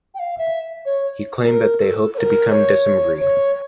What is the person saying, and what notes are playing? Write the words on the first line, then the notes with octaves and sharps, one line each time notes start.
He claimed that they hoped to become decemviri.
G5
F5
E5
C#5
A#4
A4
C#5
A#4
C#5
C#5